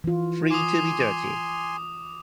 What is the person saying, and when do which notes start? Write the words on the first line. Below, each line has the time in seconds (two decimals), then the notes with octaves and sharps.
Free to Be Dirty!
0.04 E3 F4
0.51 G#5 C6 D6 D#6